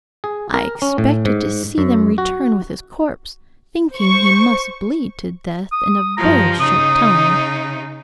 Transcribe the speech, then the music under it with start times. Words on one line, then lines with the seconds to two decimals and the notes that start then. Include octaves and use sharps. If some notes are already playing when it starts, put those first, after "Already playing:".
I expected to see them return with his corpse, thinking he must bleed to death in a very short time.
0.24 G#4
0.54 A#4
0.82 C#4
0.98 A2
1.26 G#2
1.78 F#2
2.18 F#4
3.94 C5 C#6
5.72 D#6
6.17 G2 F3 A#5
6.60 C#3 D#4 D#6